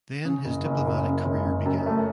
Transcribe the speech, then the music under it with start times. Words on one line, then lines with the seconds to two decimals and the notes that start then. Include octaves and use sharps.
Then his diplomatic career began.
0.25 C#3
0.45 F#1
0.65 F#1
0.86 F#2
1.05 C#3
1.25 F#1
1.46 F#1
1.66 F#2
1.86 A3